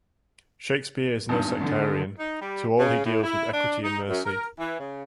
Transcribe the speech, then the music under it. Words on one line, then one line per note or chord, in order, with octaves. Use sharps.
Shakespeare is no sectarian: to all he deals with equity and mercy.
G#1 E2 G2
D3
D#4
G3
C#3
A2
E4
D4
D#4
F#2
A#4
E3
C#3